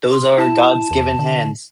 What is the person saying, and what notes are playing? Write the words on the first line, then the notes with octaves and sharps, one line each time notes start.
Those are God's given hands.
C6
E4 A5
E2
D3